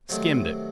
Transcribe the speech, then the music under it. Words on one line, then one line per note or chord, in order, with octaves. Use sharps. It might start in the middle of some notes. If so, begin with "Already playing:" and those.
Skimmed it.'
C3 D#3 F#3 A3 C5